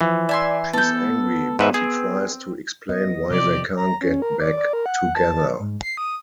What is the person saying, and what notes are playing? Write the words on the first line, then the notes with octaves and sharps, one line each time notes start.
She's angry but he tries to explain why they can't get back together.
E3 F3
D5 E5 G#5 C6
B3 A4 G6
G#2 B4 E5
C4 G#4
B3 D#5
C3 F3 G4 D5
A#5
C#4
A#4
D5
D5
A#4
F#5
A5
G#2
C7
D#6